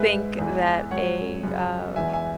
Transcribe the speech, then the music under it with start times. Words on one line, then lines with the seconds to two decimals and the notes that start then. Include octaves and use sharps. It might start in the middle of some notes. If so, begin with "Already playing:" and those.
think that a, uh,
Already playing: G#2 G#3 B4 E5
0.38 E2 E3 G#3
0.91 G#2 F#3 C#5 F#5
1.43 F#2 C#3 G#3
1.95 E2 E3 G#3 E5 G#5
2.13 E5 G#5